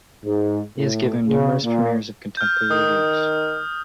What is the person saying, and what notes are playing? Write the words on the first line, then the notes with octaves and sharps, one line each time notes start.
He has given numerous premieres of contemporary works.
G#2
A2
C#3
A#2
F6 G6
D#3 D#6